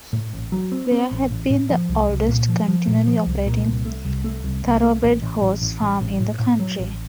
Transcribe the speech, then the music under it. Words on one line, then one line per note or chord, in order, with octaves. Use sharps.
Belair had been the oldest continually operating thoroughbred horse farm in the country.
A2
A1
F#3
C4
C4
A1
A1
A2
F3
C2
C2
A#2
F3
F3
A#2
F3
C2
A#2
C2
A3
C2
A3
C2
C2
A3
A1
A1
A1
A1
A1
A1
A2
A2
F#3
A1